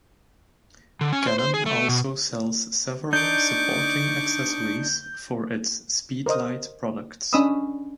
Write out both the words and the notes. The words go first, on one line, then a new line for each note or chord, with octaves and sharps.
Canon also sells several supporting accessories for its Speedlite products.
D3
C#4
C5
C5
G#4
A3
B2
D4 D#4 C#6 D6 G6
A#4 C5 D#5 D#6
C#4 D4 D#5 B5 D#6 E6